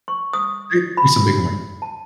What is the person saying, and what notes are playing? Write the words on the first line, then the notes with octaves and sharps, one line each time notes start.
the is a big one.
C#6
D#6
B5
A5